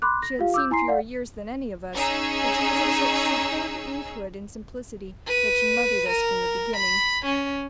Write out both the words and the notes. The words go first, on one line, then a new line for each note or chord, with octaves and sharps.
She had seen fewer years than any of us, but she was of such superb Evehood and simplicity that she mothered us from the beginning.
B5 C6 D6 F#6
A#6
F4 G4 F5
D6 E6 G6
E4 G#5 A#5 C6 C7
D5 F5 F#5
C#4 D#4 G#4 E6
B4 D#7
A#4
B5
C#4